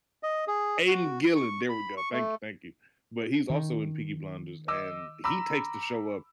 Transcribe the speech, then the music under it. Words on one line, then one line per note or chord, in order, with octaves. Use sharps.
Aiden Gillen, there we go. Thank you, thank you. But he's also in Peaky Blinders, and he takes the show up
D#5
G#4
F#4
C#6
B5
C#6
A3
D#3
D#5 D6 E6
A#5 B5 D6 E6